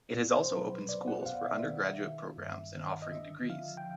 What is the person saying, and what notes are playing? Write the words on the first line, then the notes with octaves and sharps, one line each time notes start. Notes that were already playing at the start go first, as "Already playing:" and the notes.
It has also opened schools for under graduate programs and offering degrees.
B2
C5
F#3 B4
B2 D5
F#5
B2 F5
E5
D#3
D#3
G2
D#3
D#5
D3 E5
F3 F5
G5